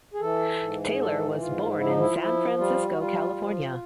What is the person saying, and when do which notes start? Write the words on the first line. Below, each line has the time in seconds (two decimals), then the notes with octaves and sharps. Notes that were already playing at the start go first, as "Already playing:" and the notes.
Taylor was born in San Francisco, California.
0.14 G#4
0.20 E3 A4
0.61 G#2
0.89 G#4
0.99 E3 A4
1.40 G#2 F4
1.80 F3 E4
1.89 D#4
1.99 E4
2.13 F4
2.18 F3 E4
2.58 G3 F4
2.92 F#4
2.98 G3 F4
3.37 F3